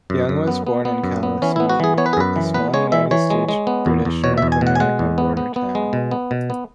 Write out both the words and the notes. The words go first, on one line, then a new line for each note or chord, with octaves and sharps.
Young was born in Calais, Maine, a small United States-British North America border town.
F#2
F#2
B3
B3
B3
F#2
B3
E3 C#4
B3 E4
F#4
E3 G#4
B3 C#5
B4
G#4
F#2 B4
E3
B3 B4
G#3 C#5
E3 E5
E3 C#5
G#3
G#3
B3
E2
E2
B2 C#5
E2 E5
G#5
B2
F#5
G#5
G#3 F#5
E2
B3
B3
B3
G#3
B2
B3
B2
B3